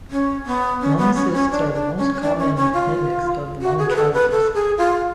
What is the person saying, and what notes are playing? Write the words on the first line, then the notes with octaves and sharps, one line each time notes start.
Lung cysts are the most common mimics of lung cavities.
C#4
B3
C#4
B3
C#4
C#4
D4
D4
C#4
C#4
D4
C#4
C#4
F4
F#4
G#4
B4
A4
B4
A4
G#4
F4